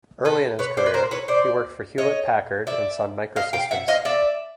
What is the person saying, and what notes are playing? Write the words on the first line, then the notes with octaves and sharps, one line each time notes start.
Early in his career, he worked for Hewlett-Packard and Sun Microsystems.
A4 B4
B4 C#5
C5 D5
B4
A#4 C5
B4 C#5
C5 D5
C#5 D#5
D5 E5
D#5 F5
F5 G5
E5 F#5
D#5 F5
D5 E5